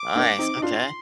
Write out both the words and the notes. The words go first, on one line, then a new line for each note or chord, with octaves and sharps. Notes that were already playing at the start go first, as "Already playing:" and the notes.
Nice, okay.
Already playing: D6
A#3 D4
C4 D#4
D#4
D4 F4 C6